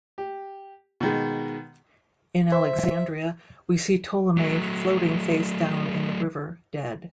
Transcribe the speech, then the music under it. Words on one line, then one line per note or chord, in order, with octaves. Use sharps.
In Alexandria, we see Ptolemy floating facedown in the river, dead.
G4
B2 D#3 G#3
C5 E5
F#3 A3